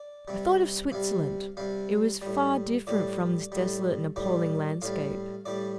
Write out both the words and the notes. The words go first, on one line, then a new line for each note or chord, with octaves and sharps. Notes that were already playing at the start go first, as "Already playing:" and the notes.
I thought of Switzerland; it was far different from this desolate and appalling landscape.
Already playing: D5
C3 G3
C3 G3 F5
C3 G3 F5
A2 G3
A2 G3 D5
A2 G3
A2 G3 D5
A2 G3 F5
A2 G3 D5